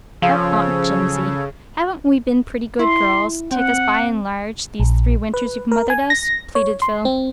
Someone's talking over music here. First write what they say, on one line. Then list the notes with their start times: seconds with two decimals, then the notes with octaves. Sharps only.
"Oh, Aunt Jimsie, haven't we been pretty good girls, take us by and large, these three winters you've mothered us?" pleaded Phil.
0.22 C#3 F3 A4 C#5 F5
2.79 E4 C6
3.51 C4 F#5
4.80 A#1
5.34 B4
5.72 A#4
5.90 G#5
6.10 A#6
6.55 C#5
6.82 C6
7.05 C4